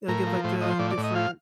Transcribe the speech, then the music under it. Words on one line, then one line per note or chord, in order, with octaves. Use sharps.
it'll give, like, a different,
A2 A#4
F3
A2 C5
F3 D#5
C5
A2 D5
D5
A2
D#5
F3 F5